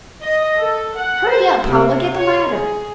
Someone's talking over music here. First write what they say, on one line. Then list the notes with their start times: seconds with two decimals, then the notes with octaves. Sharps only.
Hurry up, Paula, get the ladder.
0.21 D#5
0.58 A4
0.94 F#5
1.28 C5
1.65 C3
2.17 C#5
2.48 G#4